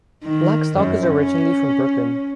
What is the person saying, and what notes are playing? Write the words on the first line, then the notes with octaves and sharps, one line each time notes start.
Blackstock is originally from Brooklyn.
D#3
F#2
C#4